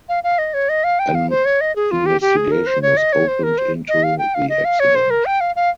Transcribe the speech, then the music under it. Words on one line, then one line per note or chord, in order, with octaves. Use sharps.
An investigation was opened into the accident.
F5
F5
D#5
C#5
D#5
F5
G5
F5
C5
C#5
D#5
G#4
F4
G4
G4
G#4
A#4
C5
C#5
D#5
C#5
C5
A#4
C5
D#5
F5
G5
F5
D#5
F5
C#5
C5
A#4
G5
F5
F5